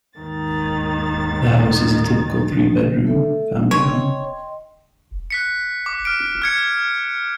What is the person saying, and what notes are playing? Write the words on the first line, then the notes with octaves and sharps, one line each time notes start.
The house is a typical three-bedroom family home.
D#2 G#2 D#3 A6
A3 A4 E5
C#5 D#5 G5 C6
F#6 B6 C#7
D6
F6 D7
F6 G#6 C#7